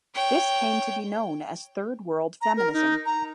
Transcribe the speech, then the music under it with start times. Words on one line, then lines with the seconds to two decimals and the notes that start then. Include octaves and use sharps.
This came to be known as Third World feminism.
0.15 C#5 G5
2.41 A#5
2.57 A#4
2.73 D#4
3.06 A#5